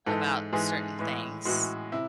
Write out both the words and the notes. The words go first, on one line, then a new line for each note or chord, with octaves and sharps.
about certain things,
G#2 E3 G#3 A4
G#2 E3 G#3 G#4
A2 E3 G#3
A2 E3 G#3 F#4
C3 E4